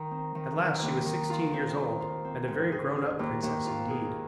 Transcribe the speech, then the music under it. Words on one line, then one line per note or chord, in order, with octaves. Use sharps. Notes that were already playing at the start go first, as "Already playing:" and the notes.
At last she was sixteen years old and a very grown-up princess indeed.
Already playing: D#3 D#4
C4
D#3
D#3
D#2
D#3
F4
C4
D#3
F4
C4
G#2
G#4
G#4
D#2
D#2
F4
G#4